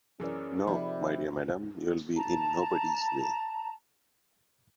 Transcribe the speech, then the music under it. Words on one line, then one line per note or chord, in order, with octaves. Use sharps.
No, my dear madam, you will be in nobody's way.
F#2 E3 C#4 G#4 A#4 D5
C3 F3 D#4 D5 B5
A5 A#5